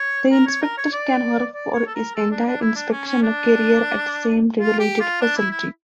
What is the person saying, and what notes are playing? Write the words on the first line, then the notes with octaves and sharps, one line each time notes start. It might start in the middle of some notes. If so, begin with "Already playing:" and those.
The inspector can work for his entire inspection career at the same regulated facility.
Already playing: C#5
A#4
C#5
A#4
C#5
D5
D5
C#5
A4
A#4
A4
D4
D4
E4
D4
C#4
C#4
D4
F4
G4
F4
D4
E4
E4